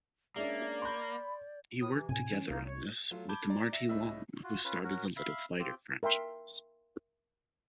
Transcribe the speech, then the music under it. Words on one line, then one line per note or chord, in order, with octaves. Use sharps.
He worked together on this with Marti Wong who started the Little Fighter franchise.
G#3 A#3 C#4 D4 D5 E5
B5 C6 G6
A2 D#6
C3 E3
D2 A2 C3 G#5
E3 C#4
C2 D#4 F5
C#5
F#3 A3 F4
A5 B5 D6 G6 G#6 G7
D5 A#5
E5 A#6
C#2 A2 G3 D#4 E5 E6
F4 F#4
C#4 F4 B4
C#4 F#4 A#4
E5 F5 B5
C4 F4 G4
A#4 E5 G5 C6